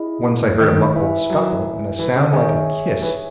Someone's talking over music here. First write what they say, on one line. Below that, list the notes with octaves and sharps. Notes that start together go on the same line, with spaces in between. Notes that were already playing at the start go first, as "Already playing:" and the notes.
Once I heard a muffled scuffle and a sound like a kiss....
Already playing: E4 G#4 D#5
D#3
E4 B4 E5 G#5
F#3
E3
C#3
D#3 G#4 C#5 E5 G#5
E3